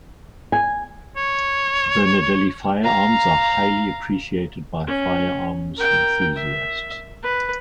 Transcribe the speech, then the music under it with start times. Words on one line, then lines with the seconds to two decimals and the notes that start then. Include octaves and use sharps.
Bernardelli firearms are highly appreciated by firearms enthusiasts.
0.52 G#5
1.17 C#5
2.84 F5 A#5
4.87 C#4
5.76 A#4 G5
6.36 E5
7.23 B4